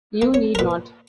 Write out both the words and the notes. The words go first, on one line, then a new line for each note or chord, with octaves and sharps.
You need not.
A#3
C#5
A#4
A#2 B4